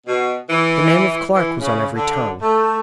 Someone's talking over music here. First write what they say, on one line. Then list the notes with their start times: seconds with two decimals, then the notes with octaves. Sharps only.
The name of Clark was on every tongue.
0.07 B2
0.49 E3
1.33 E3
1.59 C#3
1.94 D3
2.40 A3